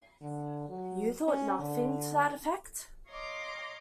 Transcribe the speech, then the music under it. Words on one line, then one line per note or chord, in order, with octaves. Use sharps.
You thought nothing to that effect?
D3
F#3
C#4
D3
C#5 D#5 F5 A#5 C6 D6